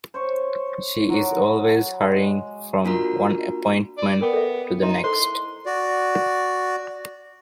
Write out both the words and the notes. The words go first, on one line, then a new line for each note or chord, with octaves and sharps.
She is always hurrying from one appointment to the next.
C5 C#5 C#6
F#3 F#4 F#5 D6
G#3
A#3 D4 F4 F#4 A#4 A#5
D5
B3 A#4 G5 D6
A4 A#4 E5
D#4 E4 E5 C6
A4 C5 C6
F#4 D5